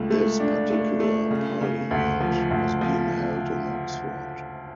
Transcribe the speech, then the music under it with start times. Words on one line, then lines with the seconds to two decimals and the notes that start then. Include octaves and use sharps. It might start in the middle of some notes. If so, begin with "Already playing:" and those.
This particular parliament was being held in Oxford.
Already playing: C#2 A3
0.10 A3
0.40 D4
0.70 A3
1.00 A3
1.31 C#3
1.61 C#3
1.91 D2
2.21 F3
2.51 D2
2.81 F3